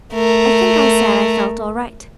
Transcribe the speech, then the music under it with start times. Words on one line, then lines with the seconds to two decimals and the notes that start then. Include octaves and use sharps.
I think I said I felt all right.
0.14 A3 A#4